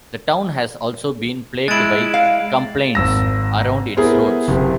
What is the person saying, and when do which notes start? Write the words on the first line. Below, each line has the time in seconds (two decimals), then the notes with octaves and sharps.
The town has also been plagued by complaints around its roads.
1.68 G#3 E4 A6 D7
2.14 F5
2.95 G#1 E6 A#6
3.97 B3 E4 G#4 A#4 C5
4.48 F#1 C3 G4